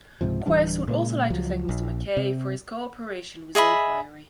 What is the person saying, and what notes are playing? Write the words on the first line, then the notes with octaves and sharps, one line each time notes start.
Quest would also like to thank Mr McKay for his cooperation with the inquiry.
C#2 G#2 C3 F3
D1 E3 G3 D4
A#2 C#3 G#3
C#2 F3 F#3
A#1
C3
G#4 D#5 E5 B5